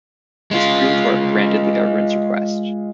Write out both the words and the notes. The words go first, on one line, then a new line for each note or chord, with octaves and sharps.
The Supreme Court granted the government's request.
G#3 F4